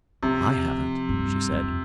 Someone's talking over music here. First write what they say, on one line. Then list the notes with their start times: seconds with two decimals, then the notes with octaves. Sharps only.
"I haven't," she said.
0.23 C3 F3
1.09 G2
1.52 F2